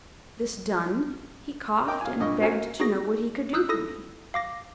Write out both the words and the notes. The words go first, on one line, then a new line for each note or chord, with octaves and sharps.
This done, he coughed, and begged to know what he could do for me.
A#4 D#5 G5 D6
F5 G#5
G2 A#2 D#5 C#6
C#4 F#4 A4 A#4 C5 G#5
A#3
D#4 F#4 G#4 A#6
D#4 D#6 E6 F#6 G6
E4 A4 D#6 A#6
F5 D6 A#6